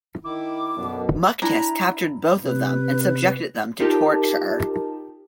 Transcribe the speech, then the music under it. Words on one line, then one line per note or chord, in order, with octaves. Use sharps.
Muktis captured both of them and subjected them to torture.
D#3 E4 D6
B1 F#2 B2 D#3 B3 D4
D4 E4 E5 A#5
C3 B4
D#4 F4 G4 A#4 A5